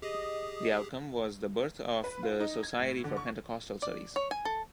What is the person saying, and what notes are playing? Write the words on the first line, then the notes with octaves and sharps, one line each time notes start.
The outcome was the birth of the Society for Pentecostal Studies.
G4 G#4 D#5
B4
F4
D#4
G#6
A2
D3
C#6
D5
C#5
G#5
A4